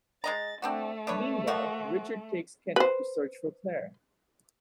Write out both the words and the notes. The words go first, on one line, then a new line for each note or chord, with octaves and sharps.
Meanwhile, Richard takes Kenny to search for Claire.
G#3 D#5 A#5 A6
A3 C4 D4 F#4
D4 B4 C#5
F3 A#3 F#4
B4 C5